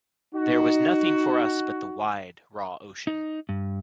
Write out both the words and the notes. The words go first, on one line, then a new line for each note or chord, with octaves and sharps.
There was nothing for us but the wide raw ocean.
D#4 F#4
D#4
G2